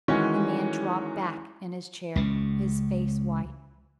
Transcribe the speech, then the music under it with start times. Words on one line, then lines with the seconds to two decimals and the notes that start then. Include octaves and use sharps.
The man dropped back in his chair, his face white.
0.08 D#3 E3 G#3 C#4 F#4 C#5
2.16 C#2 C#3